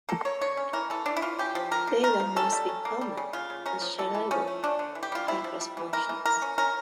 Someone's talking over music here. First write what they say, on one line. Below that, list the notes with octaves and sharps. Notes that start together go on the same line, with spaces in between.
Data must be common and shareable across functions.
A#3 A4
A#3 C#5
D3 C#5
C#4
E3 A#4
E3 A4
E3 D4
E4
E3 F4
C#4 G4
F3
D3 A#4
D3
A3 A#4
F3
C#4 A4
G3
C#4
A#3
G3
C#3
C#3 F4
C#3
C#4 A#4
F3
E3 A4
E3
F3 C#4
A3
C#4 D4
D3
E3
G4
G3 F4
F3 E4
F3
G3
E3
E3 A#4
E3
E3 A#4
C#4
C#4 A#4